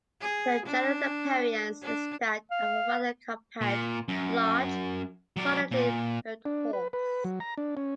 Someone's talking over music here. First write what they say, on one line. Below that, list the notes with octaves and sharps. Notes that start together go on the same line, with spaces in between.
The general appearance is that of a rather compact, large, solidly-built horse.
G#4
D4
D4
F5
A#2
F#2
F#3 D5
A#2
D4
B4
B4
F#3
A#5
D4
C#4